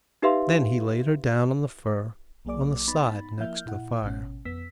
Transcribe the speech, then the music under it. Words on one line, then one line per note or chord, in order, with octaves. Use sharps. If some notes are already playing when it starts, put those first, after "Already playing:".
Then he laid her down on the fur, on the side next the fire.
D#4 G4 B4 E5 F5 C6
B1 F#3 A#3 G#4 D5 D6
B3 D#4 B5 A6
F3 A#3 E4 E5 F6 G6
A#2 E4 F#5
G#1 B2 C#4
F2 B3 E6 B6